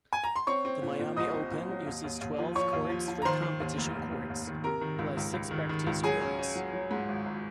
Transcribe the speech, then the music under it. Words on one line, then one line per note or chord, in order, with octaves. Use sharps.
The Miami Open uses twelve courts for competition courts, plus six practice courts.
G#5
A#5
C6
C4 C#5 C#6
C4
A#2
A#2
C2 D#5 D#6
C4
A#2
F#3
D#2
D#2
D#2
F3
F3 C#5 C#6
D#2
F3
F3
A#5
D#3 C5 C6
D#3
D#2
F1
D#2
D#2
D#2
D#3
C3 A#4 A#5
D#3
C#2
C#2
C#2
D#3
D#3
C#2
F#3 G#4 G#5
C#4
C#4
F#3
F#3
G#2
G#1
G#1